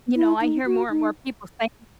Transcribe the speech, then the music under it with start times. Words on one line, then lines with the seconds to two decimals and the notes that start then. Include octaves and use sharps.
You know, I hear more and more people saying
0.16 E4
0.41 D#4
0.66 F#4
0.90 D#4